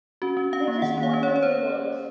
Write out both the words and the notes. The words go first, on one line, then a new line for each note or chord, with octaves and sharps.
They just want the viewers.
C#4 F#4
C#4
C#4 F5
A#3
D#3 F#5
A#3
F5
C#4
C#5
C#4
C#5
C5